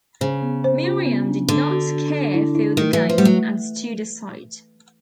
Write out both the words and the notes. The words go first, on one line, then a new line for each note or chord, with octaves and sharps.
Miriam did not care for the game, and stood aside.
C#3 C5
B3
C5
F4
B3
D4
D3 D4
F#4
F#4
A4
E4
E4
D#3 A3
E3 A3
F3
G3 A3
F#3